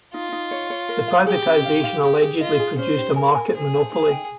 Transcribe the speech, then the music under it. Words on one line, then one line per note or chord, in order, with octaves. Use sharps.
The privatisation allegedly produced a market monopoly.
D#4 F4
D#4
C#5
C#5
A#4
F5
G4 G#4
C#4
F5
F5
G4 G#4
G#4
F4 D#5
G#4
C#4 C5
G4
A#4 G#5
G#5
G#4 C5
C5
D#4 G#4
G5